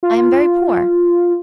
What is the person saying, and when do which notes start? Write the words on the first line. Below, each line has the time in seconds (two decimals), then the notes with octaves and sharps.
I am very poor.
0.03 F4